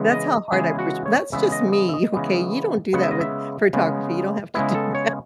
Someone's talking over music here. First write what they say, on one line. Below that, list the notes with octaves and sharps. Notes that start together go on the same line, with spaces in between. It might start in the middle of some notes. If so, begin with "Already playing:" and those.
That's how hard I push that's just me. Okay, you don't do that with photography, you don't have to do that.
Already playing: C#3 E3 G#3 B3
D#5
C#3 E3 G#3 B3 G#4
F#4
C#5
C#3 E3 G#3 B3 E5
D#5
D#5
E5
D#5
C#3 E3 G#3 B3
C#3 G#3 B3 F#5
E5
D#5
E5
C#3 G#3 B3
C#3 G#3 B3 E4
A4
C#5